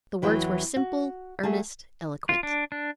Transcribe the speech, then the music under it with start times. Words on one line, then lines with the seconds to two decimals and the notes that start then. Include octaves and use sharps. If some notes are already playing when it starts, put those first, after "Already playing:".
The words were simple, earnest, eloquent.
0.22 E2 E3 F#3 G5
0.76 F#4
1.43 F#3 A3 G#4 A5
2.29 F4
2.43 D4
2.72 D4